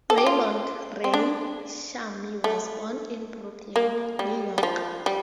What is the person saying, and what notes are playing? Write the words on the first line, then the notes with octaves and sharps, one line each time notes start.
Raymond "Ray" Shamie was born in Brooklyn, New York.
A4
G4
F4
C4
D4
A3
A#3
G3
G3
F3
G3